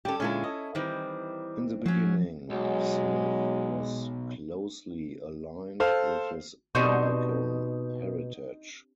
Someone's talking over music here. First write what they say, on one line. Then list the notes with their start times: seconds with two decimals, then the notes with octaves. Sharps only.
In the beginning, Smyth was closely aligned with his Anglican heritage.
0.05 G3 C#4 G4 A4
0.20 A#2 D3 G#3 C#4 E4 A4
0.44 D#5
0.75 D#3 E3 G3 C4 D#4
1.86 F3 F#3 C#4
2.50 B1 F#3 G#3
5.80 A4 C5 F5
6.75 B2 C4 D4 D#4 G4 C5 C#6